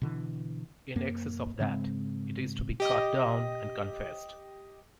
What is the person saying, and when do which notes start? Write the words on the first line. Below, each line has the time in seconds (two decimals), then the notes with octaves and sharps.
In excess of that, it is to be cut down and confessed.
0.02 B2 D3 E3
0.96 F#2 A#3
1.60 G#2 C#3 G#3 C4
2.80 G4 D#5